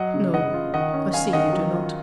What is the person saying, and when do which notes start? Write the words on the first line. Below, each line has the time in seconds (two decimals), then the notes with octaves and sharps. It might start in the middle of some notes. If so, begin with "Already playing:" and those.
'No, I see you do not.
Already playing: F#3 D#5 F#5
0.14 C#3
0.34 C#3 D#5 F#5
0.54 F4
0.74 D#3 D#5 F#5
0.93 C#4
1.13 C#4 F5 G#5
1.33 D#3 D#5 F#5
1.53 F#3
1.73 F4